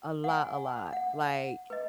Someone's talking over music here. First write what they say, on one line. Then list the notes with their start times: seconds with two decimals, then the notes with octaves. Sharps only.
A lot, a lot, like
0.24 F#5 G#5
0.93 F#5
1.70 B4 D#5